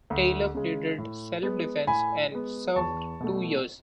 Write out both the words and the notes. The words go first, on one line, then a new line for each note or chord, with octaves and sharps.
Taylor pleaded self-defense and served two years.
D2
C#3 G#3
A2
G#3 B3
A2 G#5 B5
G#3 B3
E2 A5 C#6
B2 A3